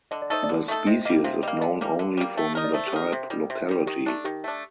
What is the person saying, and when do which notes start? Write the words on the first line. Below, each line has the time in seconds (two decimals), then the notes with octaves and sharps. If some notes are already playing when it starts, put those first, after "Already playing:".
The species is known only from the type locality.
0.11 D3 D#5
0.22 D5
0.30 A3 D#4 A4 C5
0.44 D5
0.49 D3
0.68 A3 D#4 A4
0.87 C3 D#5
1.05 G3 A#3 D#5
1.24 C3 F5
1.43 G3 A#3 D#5
1.57 D#5
1.61 D3 D5
1.81 G3 A#3
1.99 D3
2.17 G3 A#3
2.37 A3
2.55 D#4 A#4
2.64 D5
2.74 A3 C5
2.87 G4
2.93 D#4 A4 A#4
3.12 C3
3.30 D#3 G3
3.50 C3
3.69 D#3 G3
3.86 D#3 G4
4.06 A3 D4 D#4
4.25 D#3 G4
4.44 A3 D4